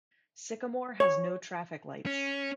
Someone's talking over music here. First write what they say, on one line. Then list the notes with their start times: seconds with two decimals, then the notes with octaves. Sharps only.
Sycamore has no traffic lights.
1.00 C#5
2.06 C#4